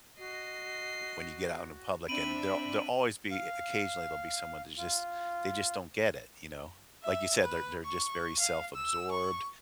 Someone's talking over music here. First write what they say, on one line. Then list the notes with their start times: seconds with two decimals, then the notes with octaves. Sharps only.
When you get out in the public and they'll they'll always be e occasionally, there'll be someone that's just they just don't get it, you know? Like you said, they're they're just very self-absorbed
0.18 F#4 D#5 C7
2.08 C4 D4 E5 B5 D7 D#7 F#7
3.31 F5
4.78 F4
7.03 E5
7.42 B4
7.84 C#6
8.39 F5
8.75 E6
9.11 C#6